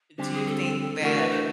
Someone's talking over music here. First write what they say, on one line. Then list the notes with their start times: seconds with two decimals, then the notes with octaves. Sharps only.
d do you think that
0.18 D3 G3 C4 G4
0.33 G#4
0.46 A4
1.02 E3 A3 D4 F#4 A#4
1.16 B4
1.30 C5